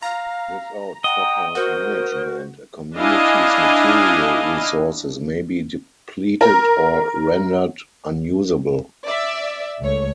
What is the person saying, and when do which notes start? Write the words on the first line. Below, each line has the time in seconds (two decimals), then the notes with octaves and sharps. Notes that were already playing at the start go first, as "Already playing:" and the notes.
Without proper management, a community's material resources may be depleted or rendered unusable.
0.02 F5 A#5
1.04 D#5 F#5 G5
1.55 F#4 A#4 C5
2.97 D4 E4 D#5 F5 G#5
6.41 A#4
9.06 D5 E5
9.81 C#2 A3 C#5